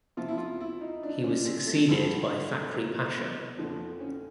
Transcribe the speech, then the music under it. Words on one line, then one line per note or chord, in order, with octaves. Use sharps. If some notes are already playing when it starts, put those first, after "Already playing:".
He was succeeded by Fakhri Pasha.
E2 C3 F3 F4
E4
F4
E4
D#4
D4
C#4
C4
A3
G2 D3 F3
A#3
B3
F2 D3 F3
C#4